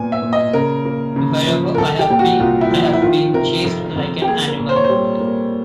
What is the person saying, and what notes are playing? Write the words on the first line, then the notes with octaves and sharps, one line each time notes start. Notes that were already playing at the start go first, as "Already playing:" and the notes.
Wherever I have been, I have been chased like an animal.
Already playing: A#2 B3 G#5
E5
A#2
D#5
C#3 A#4
A#3
C#3
F3
A#4
C2 A4
G4
A#2 G4
F#4
C2 F4
E4
F3
E4
E4
D#3 F4
C3 A#4
F2
F2
G4
A#3 G#4
A#4
A#2
C5
C#5
C5
G3
A#3